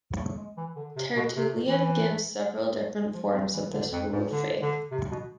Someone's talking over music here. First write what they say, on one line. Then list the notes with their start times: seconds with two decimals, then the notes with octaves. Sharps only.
Tertullian gives several different forms of this rule of faith.
0.17 A3
0.37 G#3
0.57 E3
0.76 D3
0.96 C3
1.16 B2
1.36 C3
1.66 E3
3.14 F3
3.33 C4
3.54 E3
3.73 D3
3.92 F2
4.12 G#2
4.32 D3
4.62 D3
4.91 C3
5.11 B2